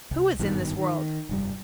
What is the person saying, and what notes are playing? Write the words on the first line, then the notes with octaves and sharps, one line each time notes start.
"Who is in this world?"
C2
G#1 G2 B2 D#3
D#3
F1 G2 G3